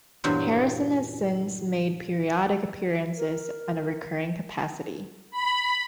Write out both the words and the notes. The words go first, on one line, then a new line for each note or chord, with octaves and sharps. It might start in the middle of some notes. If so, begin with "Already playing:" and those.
Harrison has since made periodic appearances on a recurring capacity.
E2 G2 A#2 F#3 C5
A#4
B5